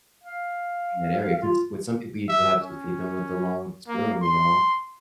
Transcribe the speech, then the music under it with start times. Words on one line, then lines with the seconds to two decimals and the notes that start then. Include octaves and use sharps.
from that area 'cause with some people, you do have to feed them with a long spoon, you know?
0.23 F5
1.42 F4
2.29 E5
2.62 C#4
3.88 A#3
4.23 C6